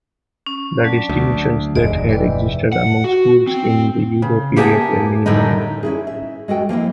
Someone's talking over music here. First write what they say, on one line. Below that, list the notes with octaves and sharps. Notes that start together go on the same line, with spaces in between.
The distinctions that had existed among schools in the Edo period were minimized.
C#4
F#3 D4
D2
F1 D#2 G#2 G#3 D5
E3 D#5 E5 G5
F#5
F#4
C4
C#3
A#3 G4 G#4 C#5 F#5 A5
F#2 A2 D3 G3 D#4
C#4 E4 G#4
E5
G#3 F#4 A4 G5
F3 A#3 C4 E4